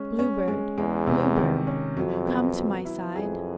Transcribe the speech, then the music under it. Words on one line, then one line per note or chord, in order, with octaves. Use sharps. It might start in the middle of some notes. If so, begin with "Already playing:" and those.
"Blue Bird, Blue Bird, Come to my side."
Already playing: G#3 C#4
C#4
G#3
E2 G#3
C3
D#3
C#4
F2 F#3
B3
F#3
E4
F2 G#4